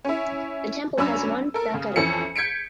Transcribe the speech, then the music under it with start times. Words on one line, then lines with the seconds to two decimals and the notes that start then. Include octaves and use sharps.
The temple has one prakara.
0.05 C#4 E4
0.98 F#2 C#4 D4 B5 E6
1.54 A4 A#4
1.74 C#3
1.96 F2 E3 C#4 A4 C#7
2.35 G6 G#6 B6 C#7 D7